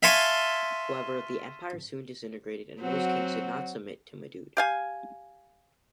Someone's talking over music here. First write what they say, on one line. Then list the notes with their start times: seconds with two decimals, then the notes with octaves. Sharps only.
However, the empire soon disintegrated and most kings did not submit to Madood.
0.03 E5 F5 G#5 A5 C6 C#6
2.79 F#3 C4 F#4
4.57 G4 F5 G#5